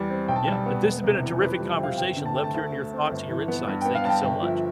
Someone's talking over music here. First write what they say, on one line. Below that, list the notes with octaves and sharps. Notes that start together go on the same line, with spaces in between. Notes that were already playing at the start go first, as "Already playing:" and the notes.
Yeah, but this has been a terrific conversation loved hearing your thoughts, and your insights, thank you so much.
Already playing: E2 G3
C4
B1 G5
A5
G3 G5
B3
E1
C3
E3
F2 B4
G4
G3
E5
C4 F5 G5
G1 G5
D3
A5
A3 G5
A5
D2
A3
C4
G1
E3
B3
G2
B3 G5
F5
G2 A5
G5
G1 G5
F3 E5